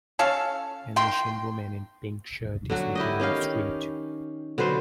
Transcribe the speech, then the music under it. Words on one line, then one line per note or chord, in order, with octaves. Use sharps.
An asian woman in pink shirt is eating on the street.
C#4 A4 F5
D#3 G5 C6
D3 F#3 F#4
E4 G4 D#5
D#3 C#4 G4 F5
D3 F#3 B4 C5